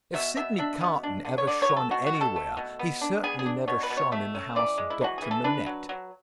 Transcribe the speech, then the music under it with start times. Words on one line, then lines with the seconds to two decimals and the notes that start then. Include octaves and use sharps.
If Sydney Carton ever shone anywhere, he certainly never shone in the house of Doctor Manette.
0.14 B2 E5
0.37 B2 E5
0.58 D4 E5
0.81 B2
1.03 D4
1.25 D3
1.38 C#5
1.47 D3 D5
1.62 C#5
1.69 F#3
1.76 A4
1.91 B2 F#4
2.06 F#4
2.14 B2
2.21 A4
2.36 A3
2.57 B2
2.79 B3
3.01 D4
3.23 B3 G#4
3.39 G#4
3.46 D4
3.68 B2 C#5
3.83 B4
3.90 B2
3.97 C#5
4.12 A3 E5
4.35 C#4
4.56 E3 D5
4.78 G#3
4.90 E4
5.01 E3 F#4
5.18 E3 G#4
5.31 A4
5.44 D4 B4
5.66 F#3
5.89 F#3